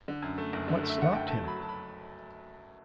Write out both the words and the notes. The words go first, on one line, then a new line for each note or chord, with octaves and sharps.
What stopped him?
D3
F#2
A3
F#1
D3
A3
E5
D3 F#5
F#1 G5
A3 A5
F#3 B5
F#3 A5
B5